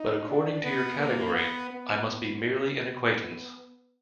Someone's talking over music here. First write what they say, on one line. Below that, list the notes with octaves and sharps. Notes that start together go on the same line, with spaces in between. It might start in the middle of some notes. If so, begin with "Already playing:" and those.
But according to your category I must be merely an acquaintance.
Already playing: D#4
D4
B3
A#3
B3
B3
B3
B3